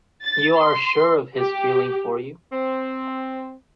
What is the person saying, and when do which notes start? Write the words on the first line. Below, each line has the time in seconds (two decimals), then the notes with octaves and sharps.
You are sure of his feeling for you?
0.23 A6
0.58 C6
1.37 G4
2.52 C4